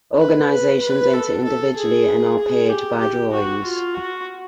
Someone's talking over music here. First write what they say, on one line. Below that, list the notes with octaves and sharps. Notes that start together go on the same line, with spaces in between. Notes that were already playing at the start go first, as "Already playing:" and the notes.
Organizations enter individually and are paired by drawings.
B4
B4
B4
A4
A4
G#4
G#4
G4
G4
F#4
F4
F#4